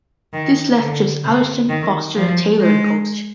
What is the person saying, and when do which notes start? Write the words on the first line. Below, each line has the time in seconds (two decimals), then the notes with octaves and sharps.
This left just Allerston, Foster and Taylor in post.
0.33 D#3
0.79 D3
1.24 C3
1.69 D#3
2.16 F3
2.61 G#3